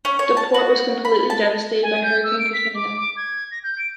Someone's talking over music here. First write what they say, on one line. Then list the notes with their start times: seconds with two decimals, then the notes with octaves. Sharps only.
The port was completely devastated by Hurricane Katrina.
0.05 C#4
0.19 C#5
0.37 A5
0.54 F#4
1.05 B5
1.30 A5
1.83 G#5
2.03 G6
2.24 E6
2.39 D7
2.54 B6
2.75 D6
2.97 D6
3.17 G#6
3.51 A#6
3.64 G6
3.78 D7